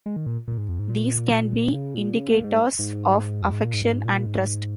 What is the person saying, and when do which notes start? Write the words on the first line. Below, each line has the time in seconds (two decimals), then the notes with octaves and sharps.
These can be indicators of affection and trust.
0.06 G#3
0.16 D#3
0.26 A#2
0.48 A#2
0.58 G#2
0.69 F2
0.79 G#2
0.89 A#2
1.74 C#3
1.95 A#2
2.16 C#3
2.30 A#2
2.44 G#2
2.79 G#2
3.42 F2
3.52 G#2
3.63 A#2
3.73 G#2
3.84 G#2
4.05 A#2
4.26 G#2